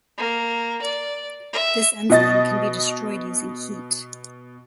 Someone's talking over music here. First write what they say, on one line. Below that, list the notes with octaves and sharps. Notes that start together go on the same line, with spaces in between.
This enzyme can be destroyed using heat.
A#3
D5
E5
B2 D#5 A6